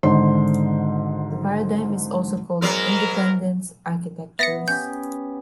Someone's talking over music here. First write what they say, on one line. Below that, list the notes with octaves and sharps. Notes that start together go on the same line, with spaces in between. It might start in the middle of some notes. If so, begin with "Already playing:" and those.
This paradigm is also called "Independence" architectures.
G#1 G#2 D3 C5 C6
G#2 F#3 B3 A#4
B3 E5 A6 A#6 C#7
C#4 G4 G6